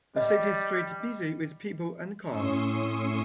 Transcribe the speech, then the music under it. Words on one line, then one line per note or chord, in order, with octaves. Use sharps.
A city street busy with people and cars.
G3 D#5
A2 C#4 C6 C#6 D#6 E6